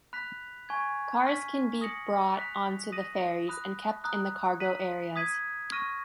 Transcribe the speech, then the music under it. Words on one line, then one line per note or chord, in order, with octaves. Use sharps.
Cars can be brought onto the ferries and kept in the cargo areas.
B5 F#6 B6 F7
G#5 C#6 G#6
C#6 F6 B6 D#7
D#6 A#6 C#7 F#7
F#6 B6 F7
D#6 A#6 D#7 F#7
B5 D#6 F#6
A#5 D#6 F#6
F#6 B6 D#7 F#7
D#6 G#6 B6 D#7
C#6 F6 A#6 D#7